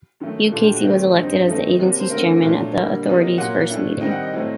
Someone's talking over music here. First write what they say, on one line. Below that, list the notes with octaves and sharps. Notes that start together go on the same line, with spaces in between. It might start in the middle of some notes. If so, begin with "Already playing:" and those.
Hugh Casey was elected as the agency's chairman at the authority's first meeting.
F#2 D#3 A3
A#2 A3 D4 A4
G4
F#4
C3 D#3 A3 C4 G4
G2 F#3 C4 D#4
D#3 A3 C4 D#4 A4
C3 F#3 A#3
C5
D3 A3 C4 A#4
A#2 F#3 A3 D4
D3 G3 A#3
C3 F#3 A#3 D#4
A#2 F#3 A#3 F#5
A2 A3 D4
D#3 G3 C4 D#4 G5
F#5
D#5
A2 F#3 A3 C4